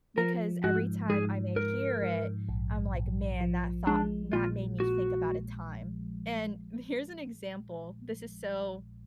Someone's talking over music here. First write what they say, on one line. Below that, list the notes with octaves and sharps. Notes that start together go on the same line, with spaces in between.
because every time I may hear it, I'm, like, "Man that thought that made me think about a time," and here's an example, this is so
F3 A#4
G#2 F#4
G#2 G#4
G#2 A#4
G#2
A#1
A#1
F3
G#3 D4
A#2 F4
A#2 F#4